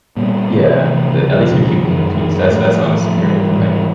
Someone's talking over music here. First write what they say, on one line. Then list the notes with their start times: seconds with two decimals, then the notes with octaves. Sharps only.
Yeah. The at least you're keeping the peace. That's that's honestly great. Like,
0.17 A#2 G3 B3
0.50 C3 E3 A3 C4
0.83 C3 E3 A3 C4
1.17 D#2 C#3 F3
1.50 D#2 C#3 F3
1.84 F#2 D#3 G#3
2.17 F#2 D#3 G#3
2.50 A2 F3 A3
2.84 A2 F3 A3
3.17 G#2 E3 G3
3.51 G#2 E3 G3